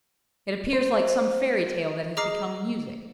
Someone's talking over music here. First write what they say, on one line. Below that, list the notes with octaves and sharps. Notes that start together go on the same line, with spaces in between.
It appears like some fairy tale that has become music.
C5
G#4 D#5 A#5 D6 F6 C7